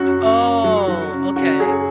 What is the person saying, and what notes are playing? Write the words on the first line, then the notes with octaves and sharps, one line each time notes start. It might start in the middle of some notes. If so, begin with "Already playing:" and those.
Oh, okay. B
Already playing: F#2 F#4
C#3
F#2
F#3
F#3 F#4
C#3
C#3 F#4
F#2 G#4